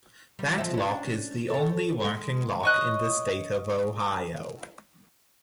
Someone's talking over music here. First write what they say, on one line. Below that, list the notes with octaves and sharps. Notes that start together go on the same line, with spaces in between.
That lock is the only working lock in the state of Ohio.
G3
F3 C4 E5
C#4 D4
A4 C#5
G#3
C#5 D#5 F#6